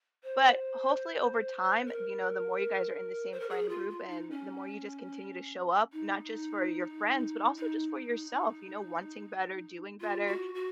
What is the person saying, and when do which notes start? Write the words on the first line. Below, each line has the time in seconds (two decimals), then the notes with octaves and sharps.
but hopefully, over time, you know, the more you guys are in the same friend group and the more you just continue to show up, not just for your friends, but also just for yourself, you know, wanting better, doing better,
0.23 C5
1.86 A#4
3.32 C5
3.40 A#4
3.50 G#4
3.69 F4
3.90 F4
4.10 D#4
4.30 C#4
5.93 D#4
7.57 D#4
10.00 F4
10.27 F#4
10.55 F#4